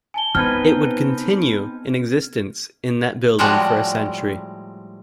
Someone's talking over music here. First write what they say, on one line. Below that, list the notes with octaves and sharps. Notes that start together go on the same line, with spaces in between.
It would continue in existence in that building for a century.
G#5 A5 G7
B3 C4 D#4 B4 F6 G#6
A2 F3 G3 G#3 F#4 F#5